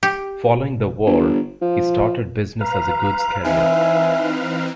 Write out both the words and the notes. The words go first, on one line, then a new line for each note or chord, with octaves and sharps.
Following the war, he started business as a goods carrier.
G4
G1
F3
B4 F5 A#5
E3 C4 D#4 E5 G#5